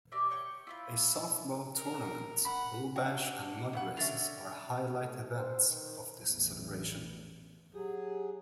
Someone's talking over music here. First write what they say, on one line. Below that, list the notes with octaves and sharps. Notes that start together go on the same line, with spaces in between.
A softball tournament, bull bash and mud races are highlight events of this celebration.
G4 A#4 D5 E5
C#5 G5 C#6
E4 F4 B5
A#4
F#5 B5
D4 F#4 G5
C#3 F#5
D3 C#4 E5 A6 F7
A3
C5
D#3
A1 E2
F#3 G4 G#4